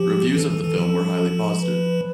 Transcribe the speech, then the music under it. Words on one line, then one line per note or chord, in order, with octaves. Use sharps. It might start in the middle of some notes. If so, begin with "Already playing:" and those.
Reviews of the film were highly positive.
Already playing: F3 G4
E3 A4
E3
E3
F3
B4